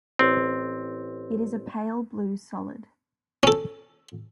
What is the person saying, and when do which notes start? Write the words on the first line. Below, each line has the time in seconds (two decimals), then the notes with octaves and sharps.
It is a pale blue solid.
0.19 A1 C4
3.43 C#4 A4